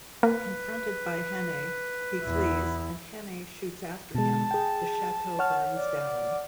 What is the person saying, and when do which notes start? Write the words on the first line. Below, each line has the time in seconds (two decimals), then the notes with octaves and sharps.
Confronted by Hannay, he flees, and Hannay shoots after him; the chateau burns down.
0.23 A#3 B4
2.23 E2 E4
4.15 B2 G#3 A5
4.51 G#4 G5
5.39 C#5 F#5 F6
5.76 D5